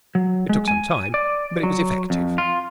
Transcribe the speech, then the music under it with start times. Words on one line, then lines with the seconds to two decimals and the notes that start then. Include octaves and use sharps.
It took some time, but it was effective.
0.15 F#3
0.49 G#3
0.68 G#5
1.14 D5
1.63 F#3
2.10 F2
2.38 F4